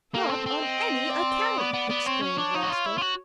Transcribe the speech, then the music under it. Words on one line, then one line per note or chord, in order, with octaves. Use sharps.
"Not on any account!" exclaimed Rostov.
A#3 A4
C4
C4
D#5
D5
B3 D5
B3
B3
C4 C#5
C#4
D4
D#4
F#4
F4
E4
F4
F#4